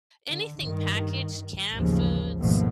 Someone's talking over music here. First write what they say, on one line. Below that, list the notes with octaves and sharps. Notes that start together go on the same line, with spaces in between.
anything packaged canned foods,
D3
G2 D#3
A1 D#2 G#2 C#3 F3
G#1 D#2 B2 F3 A3